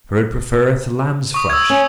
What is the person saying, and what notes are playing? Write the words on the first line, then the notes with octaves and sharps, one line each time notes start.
For it preferreth lamb's flesh.
C#6 D#6
E6 G#6
C#4